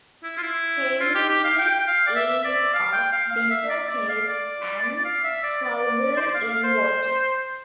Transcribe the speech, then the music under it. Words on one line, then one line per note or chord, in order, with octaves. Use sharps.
Kainite is of bitter taste and soluble in water.
E4
F4
E4
F4
G4
G4
F5
G5
F5
D5
E5
D5
F5
G5
F5
F5
E5
D5
D5
F5
D5
F5
E5
D5
D5
C5
D5
F5
F5
C5